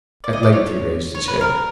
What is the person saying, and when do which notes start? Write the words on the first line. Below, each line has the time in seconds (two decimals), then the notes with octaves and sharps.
At length he raised his head.
0.24 D5
0.33 D#5
0.43 D5
0.53 C#5
1.15 C#5
1.28 B4
1.41 A#4